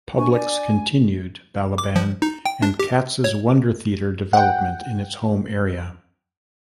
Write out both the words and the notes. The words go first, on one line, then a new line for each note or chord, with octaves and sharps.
Publix continued Balaban and Katz's wonder theater development in its home area.
D4 G#5 C#6
D5
D6
F3
D#4
G5
D4
G4
C#5
F#5 G5